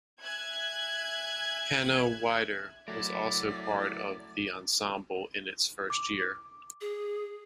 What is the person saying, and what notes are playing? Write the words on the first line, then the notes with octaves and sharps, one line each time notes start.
Hanne Wieder was also part of the ensemble in its first year.
E5 G#5 F#6 G#6
F#3 A3 E4 A#4 D5
D6
G#4